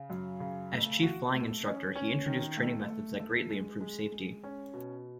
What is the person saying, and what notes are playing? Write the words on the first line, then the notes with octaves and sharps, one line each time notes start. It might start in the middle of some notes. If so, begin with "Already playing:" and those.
As Chief Flying Instructor he introduced training methods that greatly improved safety.
Already playing: C#3
F#2
C#3
A3
F#4
A3
C#4
C#4
D#3
A3
A3
A3
G#3
G#3
G#3
C#4
B2